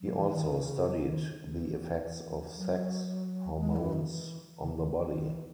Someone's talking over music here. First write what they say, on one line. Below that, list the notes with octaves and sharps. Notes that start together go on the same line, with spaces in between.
He also studied the effects of sex hormones on the body.
F#3
E3
D#3
C#3
F#3
E3
D#3
D#3
E3
F#3
G#3
E3
D#3
E3
C#3
C#3
D#3
E3
E3
D#3
E3